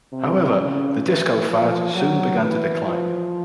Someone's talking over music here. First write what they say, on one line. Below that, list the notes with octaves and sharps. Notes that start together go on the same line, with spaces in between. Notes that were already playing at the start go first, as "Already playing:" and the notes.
However, the disco fad soon began to decline.
C3
C#3
E3
F3
F#3
E3
F3